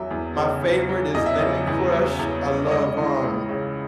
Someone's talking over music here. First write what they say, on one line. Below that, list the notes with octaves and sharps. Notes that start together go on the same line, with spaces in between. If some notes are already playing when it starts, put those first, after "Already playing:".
My favorite is Lemon Crush. I love, um,
Already playing: E2 F#3 E5
E2
C#3
E2
F#3
E2 D#5
E5
C#3 D#5
E2
F#3
E2
C#3
C#5
C#2 D#5
E3
C#2
C#3